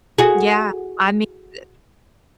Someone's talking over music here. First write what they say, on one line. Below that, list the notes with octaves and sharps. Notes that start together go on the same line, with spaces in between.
Yeah, I mean uh
F#4 G#4